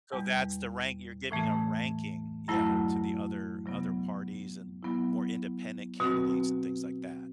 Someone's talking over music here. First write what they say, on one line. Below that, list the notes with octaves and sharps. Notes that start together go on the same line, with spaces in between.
So, that's the rank; you're giving a ranking, yeah, to the other other parties and more independent candidates and things like that.
E2 B2 G3
A2 E3 A3
F#2 F#3 A3 E4
C3 F#3 B3
F#3 B3 E4
B2 F#3 C4 F#4